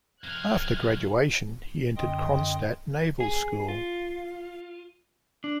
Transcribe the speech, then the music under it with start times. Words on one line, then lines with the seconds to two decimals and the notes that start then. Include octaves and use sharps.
After graduation, he entered Kronstadt Naval School.
0.24 F2 C3 F6 F#6 G#6
1.96 F#2 D3 D#5 G5 C6 D#6
3.20 G#4
3.68 F4
5.44 D4